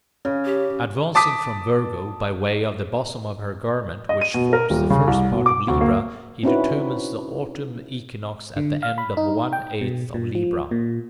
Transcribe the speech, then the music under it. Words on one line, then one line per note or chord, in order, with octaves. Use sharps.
Advancing from Virgo by way of the bosom of her garment, which forms the first part of Libra, he determines the autumn equinox at the end of one eighth of Libra.
C#3 C#4
G4
A5 D6 D#6 B6
D#5
D#7
B2
A#4
D#1
C#3
C2
B2
D6
D2
A#3
C4 C#4 D#4 E4 F#4 B4
D3
F5
B5
D#4
G5
B2
A#2
F3
A#2